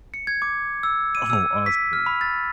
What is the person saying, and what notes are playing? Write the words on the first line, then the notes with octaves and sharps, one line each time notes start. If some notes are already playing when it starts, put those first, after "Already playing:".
Oh, awesome.
C#7
G#6
D6
E6
D#7
E6
B6
F6
B5
A6